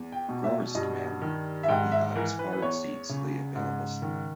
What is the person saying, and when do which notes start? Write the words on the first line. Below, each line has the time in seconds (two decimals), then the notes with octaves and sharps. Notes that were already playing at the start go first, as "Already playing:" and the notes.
Growers' demand for beehives far exceeds the available supply.
Already playing: E2
0.12 G5
0.29 B2
0.44 E5
0.75 G2 D#5
1.22 D#3
1.63 E5
1.68 G#2 G5
1.92 E5
2.15 E3 A#4
2.39 B4
2.53 B4
2.62 E2 C#5
3.09 C#3
3.55 G#2
4.02 D#3